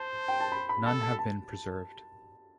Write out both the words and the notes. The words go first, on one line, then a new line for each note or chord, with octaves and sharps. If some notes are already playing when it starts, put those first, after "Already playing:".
None have been preserved.
Already playing: C5 A5
G5
A5
B5
B5
A4 A5
A5
A5